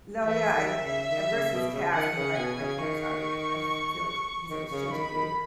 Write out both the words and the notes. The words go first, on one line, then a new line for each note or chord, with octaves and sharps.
No, yeah, and, eh, and versus cats, I mean, my my cats, I I feel like he's always judging me,
E3 E5
D#3
C#3
D#3
C#3
B2
C#3
D#3 F#5
C#3
B2 G#5
C#3
D#3 C#6
D#3 C#6
C#3
D#3 B5
D#3